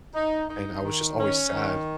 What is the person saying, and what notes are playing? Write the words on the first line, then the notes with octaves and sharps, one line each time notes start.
and I was just always sad,
D#4
D#4
D#3
C#4
D#3